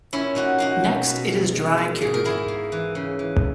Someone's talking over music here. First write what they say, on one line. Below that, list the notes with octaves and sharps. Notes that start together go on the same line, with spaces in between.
Next it is dry-cured.
A#2 C#4 E4
A#2 D#4 F#4
A#3 D#4 F#4
B2
B2
G#3
G#3
A#2
G#2 G#4
A#4
G#2 E4 G#4
A#3
E3
C#3
E3